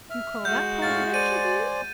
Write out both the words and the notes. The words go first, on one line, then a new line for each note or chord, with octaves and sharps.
You call that providential, do you?
E5 F6
G#3 F#4 G6
A2 F5 C#6 A6
C5 D5 G#5 D#7